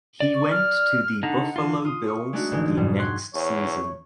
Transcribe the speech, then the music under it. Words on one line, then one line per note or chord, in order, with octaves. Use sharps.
He went to the Buffalo Bills the next season.
D5
C#6
F6
D3 D#4 F#5
E3 F4
F4 D#6
C#6
G#3 A3 D4 D#4 F#4
A1 D3 E3 F3 G#3
F2 G#2 B2 F3 G3
F#5 C6 C#6 F#6 G#6
E2 C#5